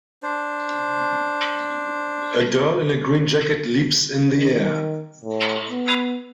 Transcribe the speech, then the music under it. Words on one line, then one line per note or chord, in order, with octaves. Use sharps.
A girl in a green jacket leaps in the air.
D4 C5
D#3
A2
B3